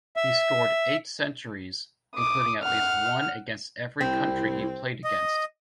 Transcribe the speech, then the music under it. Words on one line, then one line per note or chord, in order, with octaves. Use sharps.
He scored eight centuries, including at least one against every country he played against.
E5
D6 D#6
F#5 F6
C2 C4 E4
D#5